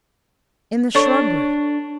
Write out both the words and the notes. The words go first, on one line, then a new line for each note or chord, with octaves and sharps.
"In the shrubbery."
D4 A4 C#5 C#6